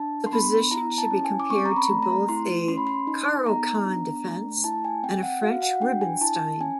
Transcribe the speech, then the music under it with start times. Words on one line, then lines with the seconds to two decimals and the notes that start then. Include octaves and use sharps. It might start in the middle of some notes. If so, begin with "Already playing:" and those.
The position should be compared to both a Caro-Kann Defense and a French Rubinstein.
Already playing: D4 A5
0.26 C6
0.32 B3 B5
0.71 E4 A#5
0.98 A5
1.11 C#4
1.25 G#5
1.40 D6
1.50 C4 C#6
1.65 A#5
1.77 B5
1.90 A3
2.03 A#5
2.29 E4 C6
2.68 C#4 C6
2.77 B5
2.87 C6
3.07 D#4
3.46 B3 A#5
3.86 D4
4.25 A3
4.64 E4 A5
4.85 G#5
5.03 C4 G5
5.23 F#5
5.43 F#4 F5
5.62 F#5
5.82 D4 G5
6.01 G#5
6.21 E4 A5
6.60 C#4 G#5